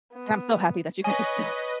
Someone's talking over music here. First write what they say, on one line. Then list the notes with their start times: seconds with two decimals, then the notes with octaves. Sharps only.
and I'm so happy that you guys are still
0.12 B3
1.04 B4 C#5 D#5 G#5